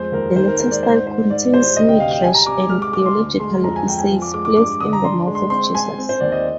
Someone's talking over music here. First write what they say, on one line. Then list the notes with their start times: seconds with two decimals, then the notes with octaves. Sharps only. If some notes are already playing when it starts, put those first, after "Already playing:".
The later style contains midrash and theological essays placed in the mouth of Jesus.
Already playing: F2 G#3 C5
0.12 D#2 A#4
0.36 D#3 C5
0.48 A#4
0.59 G#3 C5
0.71 D5
0.83 G#2 C5
1.06 G#2 C5
1.29 G#2 D5
1.54 G3 C5
1.76 D2 D#5
1.89 G5
2.00 C3 F5
2.11 G5
2.23 G3 G#5
2.34 A#5
2.46 C3 D6
2.69 G#3 F6
2.82 D6
2.93 G#3 D6
3.06 C6
3.17 D2
3.40 G#3 C6
3.63 F2 A#5
3.76 G#5
3.87 F2 G5
3.99 G#5
4.11 F3
4.22 D6
4.34 G#3 D6
4.45 D6
4.57 G2 D6
4.80 D3 D#6
4.93 A#5
5.04 D4 C6
5.27 G#3
5.35 C6
5.50 C4 C6
5.74 C4 G#5
5.98 C4
6.09 C5
6.20 D#2 D5
6.32 D#5